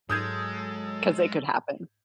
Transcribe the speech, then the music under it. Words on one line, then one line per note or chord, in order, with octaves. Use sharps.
'Cause it could happen.
G#2 F#3 G#3 A4 D#6 G6 G#6